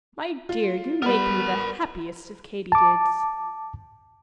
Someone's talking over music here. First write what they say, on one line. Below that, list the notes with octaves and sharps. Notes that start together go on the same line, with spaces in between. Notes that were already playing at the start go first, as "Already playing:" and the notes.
"My dear, you make me the happiest of Katy-dids."
F4
G3 B3 A#4 B5
A5 D6